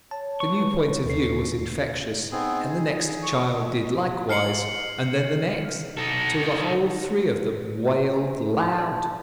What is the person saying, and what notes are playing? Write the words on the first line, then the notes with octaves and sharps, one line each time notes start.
The new point of view was infectious, and the next child did likewise, and then the next, till the whole three of them wailed loud.
C#5 A5
C#6
B4
D#2 A4 C7
B3 C4 D#4 G#4
G#4
G#4
C#6
F6 C7 C#7 F#7
D#4 A4
G4
D#4 E6
D5 A5 C6 D6